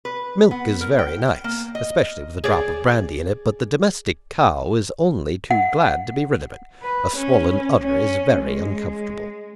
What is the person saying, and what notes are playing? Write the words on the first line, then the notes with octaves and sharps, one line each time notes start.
"Milk is very nice, especially with a drop of brandy in it, but the domestic cow is only too glad to be rid of it. A swollen udder is very uncomfortable."
B4
B3
A#4
G5
A#3
D#5
G#4 D5
F#5
B4
C#4
C#4
G#3